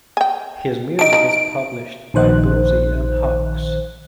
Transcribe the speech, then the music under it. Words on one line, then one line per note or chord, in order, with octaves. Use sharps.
His music is published by Boosey and Hawkes.
G5 G#5
D4 D#4 D7
F3 D#4
A#1 D#3 C5 F#6